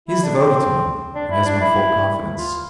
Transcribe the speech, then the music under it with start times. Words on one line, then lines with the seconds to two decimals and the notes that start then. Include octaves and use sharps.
He is devoted to me, and has my full confidence.
0.08 E4
0.23 D4
0.38 C4
1.15 D4
1.31 E4
1.45 D4
1.61 E4
2.38 F4